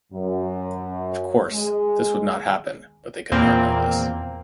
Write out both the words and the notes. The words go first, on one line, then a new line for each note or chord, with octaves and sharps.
Of course, this would not happen, but they could not know this.
F#2
G#3
E2 A#2 A#3 C4